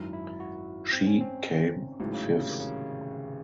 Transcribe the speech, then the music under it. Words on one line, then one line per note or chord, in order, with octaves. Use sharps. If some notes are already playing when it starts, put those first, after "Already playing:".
She came fifth.
Already playing: G#1 F#2 D#3 F#3 E4
E4
F#4
C4
C#4
C4
A1 G#2 C#3 F#3
C#3
C3
C#3
D#3
C#3